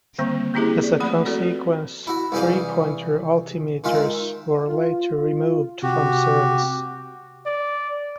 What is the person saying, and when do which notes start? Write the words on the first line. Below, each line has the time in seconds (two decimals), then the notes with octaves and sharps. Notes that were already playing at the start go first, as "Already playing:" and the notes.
As a consequence, three-pointer altimeters were later removed from service.
0.19 D3 D#3 G3 A#3 C4
0.54 A#3 C4 C#4 E4 G4 G#4
0.84 D5
1.00 F3 A3 F#5 B5
1.26 C4 F#4 A4 B4 D5
2.07 E4 F#4
2.32 C2 E3 G3 G#4 F5
3.84 D#3 G#3 F4 E5
4.68 F4
5.83 C3 F#4 G4
7.46 D5